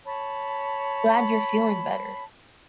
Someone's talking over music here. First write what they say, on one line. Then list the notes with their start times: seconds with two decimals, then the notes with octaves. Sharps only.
Glad you're feeling better.
0.04 C#5 A5 B5